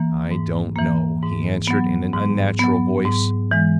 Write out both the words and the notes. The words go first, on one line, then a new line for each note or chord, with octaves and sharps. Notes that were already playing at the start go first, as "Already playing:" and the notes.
"I don't know," he answered in an unnatural voice.
Already playing: E3 A#3
G#2
E3 A#3
G#2
F#3 B3
G#2
F#3 B3
G#2
E3 G#3